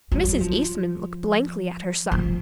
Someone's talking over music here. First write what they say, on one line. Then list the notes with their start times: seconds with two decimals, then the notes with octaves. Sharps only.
Mrs. Eastman looked blankly at her son.
0.12 F#3
0.40 F3
2.12 F3